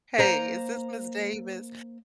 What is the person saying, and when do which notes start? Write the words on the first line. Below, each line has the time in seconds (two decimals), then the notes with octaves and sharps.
"Hey, is this Ms. Davis?"
0.18 A#3 C5 A#5